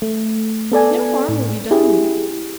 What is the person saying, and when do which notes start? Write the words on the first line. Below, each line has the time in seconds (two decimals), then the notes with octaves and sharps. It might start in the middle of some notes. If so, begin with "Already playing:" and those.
"No harm will be done you."
0.02 A3
0.72 B3 A4 D5 G#5
1.28 A2
1.71 E4 G4 G#4